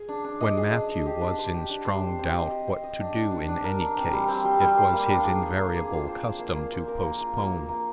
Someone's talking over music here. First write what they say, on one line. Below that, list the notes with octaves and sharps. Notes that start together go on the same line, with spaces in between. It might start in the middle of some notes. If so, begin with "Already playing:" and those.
When Matthew was in strong doubt what to do in any case, it was his invariable custom to postpone.
Already playing: G#4
D4
D4
D#5
G#4
D4
D#5
G4
D4
C5
G4
D4
C5
C4
C4
D#5
G4
C4
D#5
D4
D4
D4
D4
A#4
D4
C4
G3
C4
G3
G3
C5
A#3
D4
G#4
G#4
A#3
G#4
F4
C5
C5
A#3
A#3
C5
A#4
A#3
F4
A#3
A#4
A#3